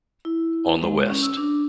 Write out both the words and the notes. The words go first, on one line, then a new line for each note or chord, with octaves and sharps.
On the West.
E4
G#3
C#4
E6
D4